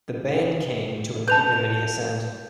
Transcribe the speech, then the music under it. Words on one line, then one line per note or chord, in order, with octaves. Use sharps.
The band came to an ignominious end.
B4 A5 G6 F7